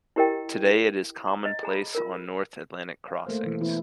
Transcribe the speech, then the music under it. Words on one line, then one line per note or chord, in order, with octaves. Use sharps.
Today it is commonplace on North Atlantic crossings.
E4 G4 A#4 D#5 G5
A#5
D#5
G#4 A#5 B5
F4 A#4
F5
A3 A#3 C5
B2 E3
E3 B3 E4 E5